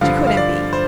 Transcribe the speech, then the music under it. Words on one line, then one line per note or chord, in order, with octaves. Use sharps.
She couldn't be.
G2 D3 F3 F5
F5
D5
C5